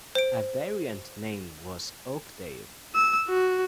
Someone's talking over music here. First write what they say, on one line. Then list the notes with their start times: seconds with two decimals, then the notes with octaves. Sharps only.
A variant name was Oakdale.
0.15 C5 D7
2.95 E6
3.29 F#4